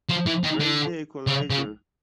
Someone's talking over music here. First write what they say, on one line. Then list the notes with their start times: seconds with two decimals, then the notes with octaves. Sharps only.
Where is the equalizer?
0.09 F3
0.26 E3
0.44 D#3
0.60 D3
1.27 C#3
1.50 C#3